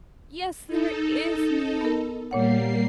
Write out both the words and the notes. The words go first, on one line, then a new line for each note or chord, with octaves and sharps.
"Yes, there IS need!"
D#4 A4
B3 A#4
A#2 G3 A#3 C#5 F#5 C7